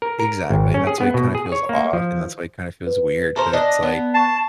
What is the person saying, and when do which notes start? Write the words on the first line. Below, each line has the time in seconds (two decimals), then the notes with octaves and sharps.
Exactly. And that's why it kinda feels off, and that's why it kinda feels weird 'cause it's like,
0.02 A#4
0.19 A#4
0.50 G#1
0.74 C#4
0.87 G#4
1.00 B3
1.14 B2
1.35 G#4
1.52 C#5
1.69 A#3
1.93 F3
2.87 B4
3.36 A4 A#4 C5
3.53 D4 D5 D#5 A5
3.83 B3
4.14 A5 C#6 C7